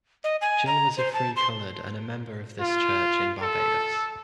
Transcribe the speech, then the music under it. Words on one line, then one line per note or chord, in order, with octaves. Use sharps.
Gill was a Free Coloured and a member of this church in Barbados.
D#5
G#5
A#5
C5
A5
C6
F4
A4